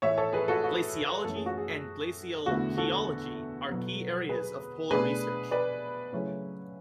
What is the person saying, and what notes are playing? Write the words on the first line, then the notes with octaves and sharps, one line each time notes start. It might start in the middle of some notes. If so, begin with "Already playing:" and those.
Glaciology and glacial geology are key areas of polar research.
A2 E3 A3 C#5 E5
A4 C#5
G#4 B4
F#4 A4
F#4
F#2 E3 A3 C#4 A4
G#4
F#4
G#4
E2 D3 A3 E4 F#4
F#4 A4
B2 F#3 B3 E4
G#4 B4
B2 A3 D4 G#4 B4
B4 D5
C#3 F#3 A3 C#4 E4